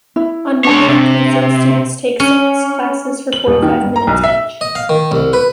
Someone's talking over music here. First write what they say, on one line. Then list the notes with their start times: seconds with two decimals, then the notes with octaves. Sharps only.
On Monday and Tuesday, students take six classes for forty-five minutes each.
0.16 E4
0.65 G#3 D4 C#5 A5
0.88 C3
2.20 C#4
3.33 F#7
3.47 D#1
3.63 D#3
3.82 G2
3.96 A#5
4.07 B1
4.24 E5
4.61 D#5
4.75 F5
4.89 D#3
5.12 C2
5.33 B4